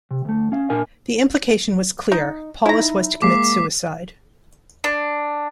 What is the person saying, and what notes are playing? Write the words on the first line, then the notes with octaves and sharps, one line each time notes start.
The implication was clear: Paulus was to commit suicide.
C3
D2 A3
C#4 F5
A#2 D4 A#4 G#5
D#4
D#4 E4 A#5
G#3 A#3 D6 B6 C7
D4